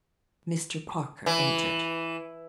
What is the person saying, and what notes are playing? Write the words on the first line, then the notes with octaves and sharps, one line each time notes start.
Mr. Parker entered.
E3